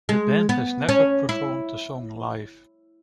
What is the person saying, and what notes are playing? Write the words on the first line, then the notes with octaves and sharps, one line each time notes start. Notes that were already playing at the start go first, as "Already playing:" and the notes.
The band has never performed the song live.
G#3
B3
C#4
E4